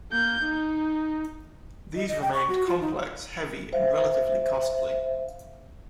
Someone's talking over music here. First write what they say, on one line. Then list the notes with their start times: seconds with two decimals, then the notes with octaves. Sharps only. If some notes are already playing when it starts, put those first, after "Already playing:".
These remained complex, heavy and relatively costly.
0.11 A#3 G6
0.44 D#4
1.96 D#5
2.09 D#5
2.21 G5
2.34 C#6
2.48 F#4
2.66 F4
2.81 D#4
3.73 C5 E5 F5